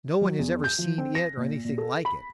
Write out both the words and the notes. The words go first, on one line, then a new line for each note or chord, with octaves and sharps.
No one has ever seen it or anything like it.
F#3
E2
G6
F3
C4
A#6
A#2
A#2
A4
B5